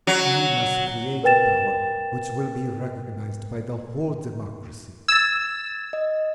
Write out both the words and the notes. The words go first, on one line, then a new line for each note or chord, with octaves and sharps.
We must create a power which will be recognised by the whole democracy.
F#3
A#4 B4 G5 A6 E7
E6 G#6 A6
D#5